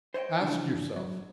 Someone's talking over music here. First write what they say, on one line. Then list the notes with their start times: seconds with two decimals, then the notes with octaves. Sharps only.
Ask yourself!
0.14 C5 C#5 D#5 F#5 G5
0.41 C#3 E3 F3 D4
0.96 F#3